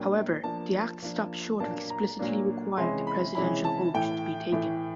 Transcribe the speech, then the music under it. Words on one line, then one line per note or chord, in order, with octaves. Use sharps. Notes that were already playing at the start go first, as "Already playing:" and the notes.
However, the Act stops short of explicitly requiring the presidential oath to be taken.
Already playing: A#2 F#3 A#3 D4 G5
F3 A#3 D4 A5
F3 A#3 D4
A#2 F#3 A#3 D4 A5
A#5
A#2 F#3 A#3 D4
C3 E3 G#3 C#4 E4 C6
B5
C3 E3 G#3 C#4 E4 B5
A5
A2 E3 A3 G5
A2 E3 A3